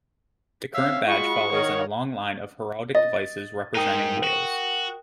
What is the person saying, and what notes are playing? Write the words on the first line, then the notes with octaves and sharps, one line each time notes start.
The current badge follows in a long line of heraldic devices representing Wales.
C4 C#5 E5 F5
G#3 F4 F#4 B5 C#6
D#3 A#4 C#5 F#5
D#5 A6
G#2 D#4 A#4 G5 D#6
F#4